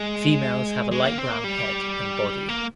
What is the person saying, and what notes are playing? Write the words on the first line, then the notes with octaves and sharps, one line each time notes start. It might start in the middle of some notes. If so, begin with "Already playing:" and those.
Females have a light brown head and body.
Already playing: G#3
G#3
A#3
C4
A#3
G3
A#3